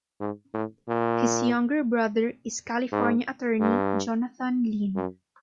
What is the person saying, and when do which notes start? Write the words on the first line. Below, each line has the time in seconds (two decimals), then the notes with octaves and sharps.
His younger brother is California attorney Jonathan Lynn.
0.20 G#2
0.54 A2
0.88 A#2
2.92 G#2
3.60 G2
4.96 F#2